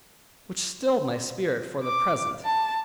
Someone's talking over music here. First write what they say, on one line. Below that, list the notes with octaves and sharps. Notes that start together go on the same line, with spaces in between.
Which stilled my spirit for the present.
D6
A5